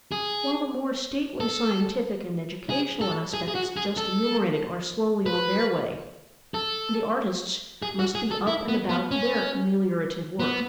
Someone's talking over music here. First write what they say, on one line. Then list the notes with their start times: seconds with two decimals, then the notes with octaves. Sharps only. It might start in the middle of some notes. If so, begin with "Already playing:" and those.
While the more stately scientific and educational aspects just enumerated are slowly on their way, the artists must be up and about their ameliorative work.
0.12 G#4
1.40 A4
2.70 G#4
3.01 A4
3.33 G#4
3.48 G#4
3.55 F#4
3.77 G#4
3.97 A4
5.26 B4
6.54 A4
7.82 G#4
7.99 F#4
8.15 G#4
8.31 A4
8.47 E4
8.68 B3
8.89 B3
9.11 C#4
10.40 B3